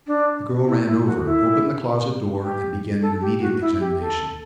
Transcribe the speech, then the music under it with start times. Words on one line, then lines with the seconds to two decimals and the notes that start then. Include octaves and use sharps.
The girl ran over, opened the closet door, and began an immediate examination.
0.07 D4
0.67 E4
0.86 E4
1.05 F#4
1.25 E4
2.43 G4
3.01 A4
3.21 G4
3.40 F#4
3.60 E4
3.80 G4
4.00 A4